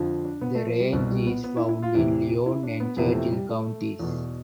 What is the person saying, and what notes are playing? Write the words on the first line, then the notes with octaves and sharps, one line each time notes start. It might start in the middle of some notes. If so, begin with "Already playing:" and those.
The range is found in Lyon and Churchill Counties.
Already playing: F2 D3 F3
D4
B3
A3
F3
G3
C2 B2 C4
G3
B3
B3
E4
E4
F4
E2 C3 E3 E4
E4
D4
B3
F2 C3 E3 B3
A3
G3
A3
E2 B2